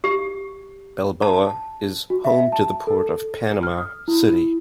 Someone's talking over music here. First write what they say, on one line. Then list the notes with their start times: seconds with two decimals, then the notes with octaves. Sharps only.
Balboa is home to the port of Panama City.
0.04 G4
1.22 A5
2.10 F#4
2.25 E5
2.52 A5
2.87 A4
3.63 F6
3.78 D#6
4.08 E4